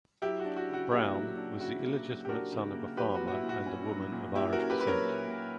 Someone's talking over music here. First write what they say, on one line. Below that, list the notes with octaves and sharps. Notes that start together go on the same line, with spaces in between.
Brown was the illegitimate son of a farmer and a woman of Irish descent.
F#3 E4 G4
F#4
D4
F#4
C#3
F#4
A#3 E4 G4
F#3
D4
C#3 F#4
A#3
F#3
G4
D4 F#4 A#4
C#3
A#3
F#3 G4 B4
F#4
A#2
F#4
E4
A#2
F#4
C#4
F#3
A#2
A#2 E4 G4
F#4 A#4
C#4
G4 B4
F#3 B4
A#4 C#5
A#2
A#2